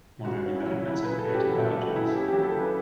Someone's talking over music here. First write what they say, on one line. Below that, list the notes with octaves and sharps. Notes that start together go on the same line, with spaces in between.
Modern developments have created other types.
C#3 F#4
C#4
E4
F#3
C#3 E4
C#3 B4
A4
C#4 F#4
G4
F#3 A4
A4
C#3
F#4
C#3 E4
C#4 G4
G4
F#3
A4
C#3
B4